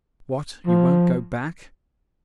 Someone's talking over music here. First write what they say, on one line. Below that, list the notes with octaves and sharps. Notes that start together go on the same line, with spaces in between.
"What! you won't go back?"
F3